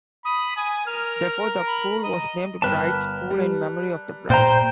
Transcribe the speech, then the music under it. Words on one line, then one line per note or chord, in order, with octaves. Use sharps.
Therefore, the pool was named Bride's Pool in memory of the bride.
B5 D#6
G#5 D#6
A#4 F6
B5
D#5 A#5
G1 A#4 B4 G5 A5
G3
A#2 C5 G5 A#5